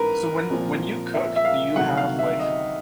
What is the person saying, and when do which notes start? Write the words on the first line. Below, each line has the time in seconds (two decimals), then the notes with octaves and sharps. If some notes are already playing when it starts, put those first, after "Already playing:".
So when when you cook, do you have, like,
Already playing: A1 G#2 E3 A#4 B4
0.50 C2 A#2 F3
1.14 E5
1.36 E5
1.45 F5
1.76 D2 C3 D#3 F#3 F#5
1.97 F5
2.19 E5
2.40 D#5